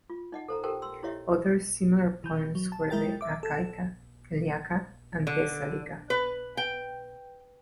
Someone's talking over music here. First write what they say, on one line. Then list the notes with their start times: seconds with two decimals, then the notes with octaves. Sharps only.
Other similar poems were the "Achaica", "Eliaca", and "Thessalica".
0.10 F4
0.32 D#4 D#5 F#5
0.48 A4 C5 A#5
0.64 G4 A4 A#4 C5 G5 A5
0.82 C6 E6
1.03 E4 G4 C#5 D#5 E5
2.24 E3 G6
2.55 F#3
2.72 A5
2.90 G#3 E4 A#4 G5 A6
3.21 E5 D6
3.43 A4
5.27 D3
6.10 B4
6.57 G5